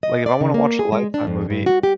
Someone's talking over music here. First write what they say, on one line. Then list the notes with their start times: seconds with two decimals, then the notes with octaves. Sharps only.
Like, if I wanna watch a Lifetime movie,
0.03 D#5
0.26 D5
0.41 C#3
0.54 A#3
0.79 G#4
0.92 G#3
1.14 D4
1.27 F2
1.50 G2
1.66 F#4
1.83 G4